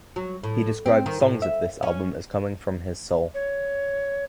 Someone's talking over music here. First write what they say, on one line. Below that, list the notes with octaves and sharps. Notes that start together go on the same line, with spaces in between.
He described songs of this album as coming from his soul.
F#3
A2
C4
D#3
A2
E5
C#4
C#5